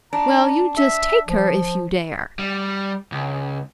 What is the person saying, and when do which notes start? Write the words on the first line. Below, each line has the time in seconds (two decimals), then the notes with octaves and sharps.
"Well, you just take her, if you dare."
0.13 D4 A#5
0.77 E5
1.28 F3
2.39 G3
3.12 C#2